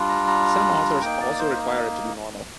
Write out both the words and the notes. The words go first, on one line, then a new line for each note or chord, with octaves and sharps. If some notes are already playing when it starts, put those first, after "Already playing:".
Some authors also require it to be normal.
Already playing: G3 D4 F4
A#5
A#5
A#3 D#4 G5
D5
C5